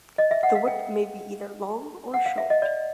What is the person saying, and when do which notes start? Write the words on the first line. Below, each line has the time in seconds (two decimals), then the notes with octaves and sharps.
The whip may be either long or short.
0.18 D#5
0.31 E5
0.43 F#5
0.55 F5
0.68 G5
2.14 F#5
2.26 F5
2.38 E5
2.50 D#5
2.62 D5